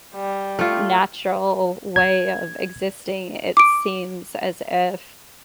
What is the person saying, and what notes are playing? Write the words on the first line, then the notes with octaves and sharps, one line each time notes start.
natural way of existing, it seems as if
G3
A3 F4
G#6
D6 D7